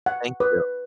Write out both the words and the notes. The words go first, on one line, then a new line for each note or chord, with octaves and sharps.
Thank you.
F#5
B4